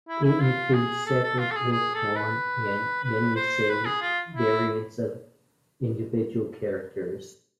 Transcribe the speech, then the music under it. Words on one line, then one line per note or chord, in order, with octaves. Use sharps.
It includes separate "Orkhon" and "Yenisei" variants of individual characters.
E4
E4
F4
G#4
A4
A4
F4
A4
G#4
G#4
A4
B4
B4
C5
B4
G#4
F4
E4